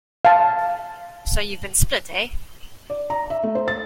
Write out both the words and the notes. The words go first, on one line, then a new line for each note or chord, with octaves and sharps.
So you’ve been spilt, eh?
F5 A5
D5
A#5
E5
A3
C5
A6